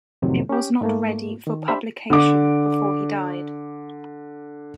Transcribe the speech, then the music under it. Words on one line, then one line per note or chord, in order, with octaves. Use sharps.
It was not ready for publication before he died.
F2 A2 C3 D#3 F#3
C#4 G4
G#2 A3 A#3
D#3
D4 G4 C5 E5 B5
D3 D6